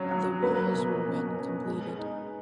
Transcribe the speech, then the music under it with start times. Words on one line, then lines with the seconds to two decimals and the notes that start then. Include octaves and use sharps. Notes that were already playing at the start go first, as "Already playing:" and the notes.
The walls were when completed.
Already playing: C#3 F#3 C#5
0.11 F#3
0.42 A#3 B4
0.74 B2
1.06 C#4
1.36 C#4
1.67 G#3
1.99 D#4